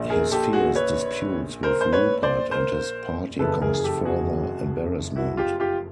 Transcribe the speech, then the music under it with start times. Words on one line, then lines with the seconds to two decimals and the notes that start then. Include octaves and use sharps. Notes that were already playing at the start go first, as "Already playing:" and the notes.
His fierce disputes with Rupert and his party caused further embarrassment.
Already playing: A#1 A#2
0.10 G#4 A#4
0.31 G4 A4
0.53 F#4 G#4
0.75 B4 C#5
1.63 A#4 C5
1.81 C5
1.92 B4 C#5
2.23 C5 D5
2.51 A#4 C5
3.39 F#1 F2 C#3 E3 A4 B4
3.62 G#4 A#4
3.74 G#4
3.84 G4 A4
4.05 F#4 G#4
5.16 E4 F#4
5.37 F4 G4
5.60 F4 G4